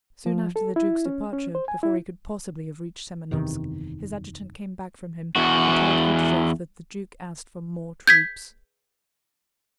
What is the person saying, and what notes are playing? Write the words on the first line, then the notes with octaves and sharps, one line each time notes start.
Soon after the duke's departure--before he could possibly have reached Semenovsk--his adjutant came back from him and told Kutuzov that the duke asked for more troops.
F3
A4
E4
C#4
C#4
C5
G#5
E4
F#1 E2 C3 D#3
E2 F#4
G6 G#6 B6